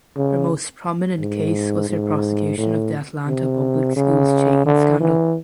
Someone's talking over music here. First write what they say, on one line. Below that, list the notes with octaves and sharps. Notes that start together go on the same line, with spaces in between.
Her most prominent case was her prosecution of the Atlanta Public Schools cheating scandal.
C#3
G#2
G#2
A2
C3
C#3
D3
E3